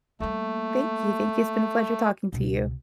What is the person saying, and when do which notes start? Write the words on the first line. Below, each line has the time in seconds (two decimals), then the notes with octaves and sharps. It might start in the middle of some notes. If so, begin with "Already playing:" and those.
Thank you, thank you. It's been a pleasure talking to you.
0.20 G3 A3 A#3
2.33 C#2 B2